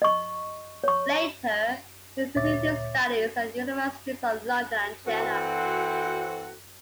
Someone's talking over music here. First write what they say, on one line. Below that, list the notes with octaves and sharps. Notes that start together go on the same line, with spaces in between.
Later, he continued his studies at the Universities of London and Jena.
D#5 C#6
C#5 C#6
D2 A#2 C#5 E5 D6 A6
E3 C4 F#4 A4